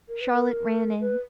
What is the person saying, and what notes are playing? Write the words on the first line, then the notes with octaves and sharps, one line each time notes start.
Charlotte ran in.
A#4
B4
A#4
B4